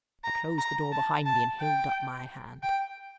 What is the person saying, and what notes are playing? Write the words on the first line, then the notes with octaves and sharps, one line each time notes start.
I closed the door behind me and held up my hand.
A#5
A#5
A5
A5
G5
G5